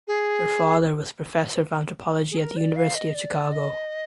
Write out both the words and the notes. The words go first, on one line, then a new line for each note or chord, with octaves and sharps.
Her father was professor of anthropology at the University of Chicago.
G#4
G#4
A#4
D5
F5
D#5
D5
D#5